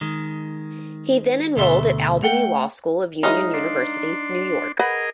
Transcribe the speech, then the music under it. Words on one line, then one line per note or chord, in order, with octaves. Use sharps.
He then enrolled at Albany Law School of Union University, New York.
D#3 G#3
D2 B2 A4 E5 C6
A3 F#5 G5
F#3 G#3 D#4 E4 F5 D#6
D4 C6
G#4 A#4 B4 D#5 F#5 B5